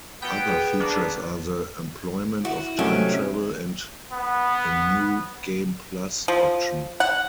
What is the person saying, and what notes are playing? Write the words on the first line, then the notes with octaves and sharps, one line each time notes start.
Other features are the employment of time travel and a "New Game Plus" option.
B2 E3 B3 G5
G#4 B4
A#3 B3 D4
E4 F#4
C3 D#3 F#3 A3 C#4
B3
F3
F#5